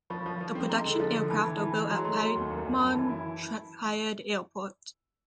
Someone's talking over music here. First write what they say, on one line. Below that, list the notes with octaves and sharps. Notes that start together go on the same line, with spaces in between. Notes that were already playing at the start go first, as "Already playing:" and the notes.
The production aircraft are built at Piedmont Triad Airport.
F3 B5 C#6
F3
F3
C4
G#3 A#5 C6
D3
F3
D3
E3 A5 B5
E3 A5 B5
E3 A5 B5
G#3
F#3 A#5 C6
A3 A#5 C6
A3 A#5 C6
D#2
F#2
F#2
F#2 A5 B5
E3 A5 B5
E4